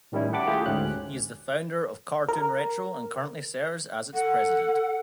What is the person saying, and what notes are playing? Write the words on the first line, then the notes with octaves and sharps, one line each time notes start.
He is the founder of CartoonRetro and currently serves as its president.
A2 D#3 G3 C#4 E4
G4 F#5 A5 B5 D6
A3 E4 F4 G4 G#4
D2 G#2 C#4 F#6
A#4
A4 F#5